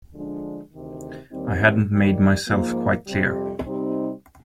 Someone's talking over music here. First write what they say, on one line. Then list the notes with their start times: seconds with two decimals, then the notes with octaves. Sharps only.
I hadn't made myself quite clear.
0.14 D3 F3 G#3 D4
0.73 D2 C3 D#3
1.32 D#2 D#3 G3 C4 D#4
1.90 D#2 D#3 G3
2.48 G#2 F3 A#3
3.07 F2 C3 G3
3.66 C3 G3 C4 D#4